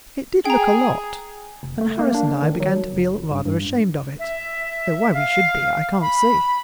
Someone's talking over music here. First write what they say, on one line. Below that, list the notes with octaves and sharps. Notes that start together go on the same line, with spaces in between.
It did look a lot, and Harris and I began to feel rather ashamed of it, though why we should be, I can't see.
G#4 G5 A#5
F1
A3
A#3
D4
D#3
F#3
F#1
G2
G2
E5
F5
B5